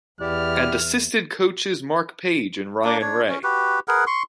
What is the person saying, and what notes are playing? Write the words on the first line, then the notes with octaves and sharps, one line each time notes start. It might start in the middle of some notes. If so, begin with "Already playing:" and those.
And assistant coaches Mark Page and Ryan Ray.
E2 B3 E4 G4 D5 F6
A#3 D4
D4 C#5
C#4
F#4 G4 B4
G#4 A#4 B4 F#5
C6 C#6